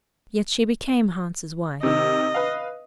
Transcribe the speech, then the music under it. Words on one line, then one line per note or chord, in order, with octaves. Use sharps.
Yet she became Hans' wife.
C3 D#3 D#5
B4 F5